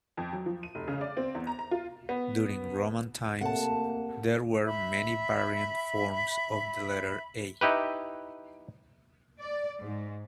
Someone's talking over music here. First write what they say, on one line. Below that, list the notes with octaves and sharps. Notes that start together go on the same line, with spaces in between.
During Roman times, there were many variant forms of the letter "A".
F2
F#3
F3
D#7
F1
C#3
D5
C4
E2
A#5
A#5
F4
B3
C3 A3 A#3 F#5 A5
E5 B5
D#4 E4 G4 B4
D5
G#2